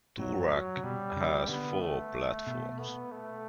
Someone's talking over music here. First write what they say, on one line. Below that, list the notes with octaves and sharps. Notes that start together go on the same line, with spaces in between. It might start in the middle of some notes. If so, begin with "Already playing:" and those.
Toorak has four platforms.
A2 F#3
F#2
G2
F#3
C#3
B2 G3
C#3
D3 B3
A3
B2
B3
A3